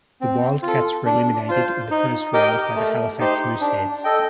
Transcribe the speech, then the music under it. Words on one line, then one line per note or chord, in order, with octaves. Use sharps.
The Wildcats were eliminated in the first round by the Halifax Mooseheads.
C4
F4
A4
D4
F4 C5
D#4
G4 A#4 D#5 G5
A3
D#4 G4 C5
D4
A4 D#5 G5